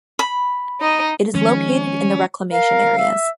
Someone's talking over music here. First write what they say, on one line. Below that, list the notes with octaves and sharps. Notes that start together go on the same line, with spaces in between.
It is located in the reclamation areas.
B5
D#4 D#5
D#3 F3 G#3 C#4
A#4 F5
E5